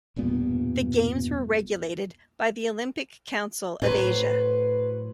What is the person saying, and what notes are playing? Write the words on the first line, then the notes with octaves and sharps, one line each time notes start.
The games were regulated by the Olympic Council of Asia.
E1 G2 A#2 B3
A2 F#3 B4 C5